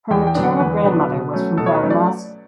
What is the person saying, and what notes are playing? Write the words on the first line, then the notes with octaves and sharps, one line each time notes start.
Her maternal grandmother was from Varanasi.
E2 G5
G5
D3 F#3 B3 D4
F#5
E2 B4
D3 F#3 B3 D4
B2
F#3 A3 C#4
B2 A4
C#5
B4
F#3 A3 C#4
D5